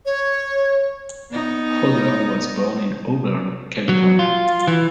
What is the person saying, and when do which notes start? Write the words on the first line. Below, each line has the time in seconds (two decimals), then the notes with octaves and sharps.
Hodder was born in Auburn, California.
0.06 C#5
1.31 B3 D#4
3.89 F#3
4.19 F4
4.67 E3